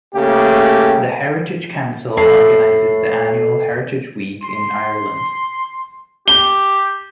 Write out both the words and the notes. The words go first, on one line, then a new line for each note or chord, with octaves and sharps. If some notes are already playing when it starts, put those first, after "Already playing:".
The Heritage Council organizes the annual Heritage Week in Ireland.
C#3 A3 A#3 G4
F2 A2 A4 C7
C6
G4 G7